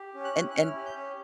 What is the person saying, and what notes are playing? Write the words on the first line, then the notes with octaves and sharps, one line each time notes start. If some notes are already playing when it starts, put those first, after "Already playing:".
and and
Already playing: G4
C#4
F#6
E4
F#6
C#4 F6
G4
G6
C#4